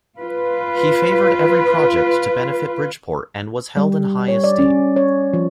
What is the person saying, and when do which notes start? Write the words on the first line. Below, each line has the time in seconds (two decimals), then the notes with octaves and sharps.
He favoured every project to benefit Bridgeport and was held in high esteem.
0.21 F4 B4
3.77 G3
4.28 C#5
4.44 D5
4.59 C#4
4.96 C#5
5.33 F3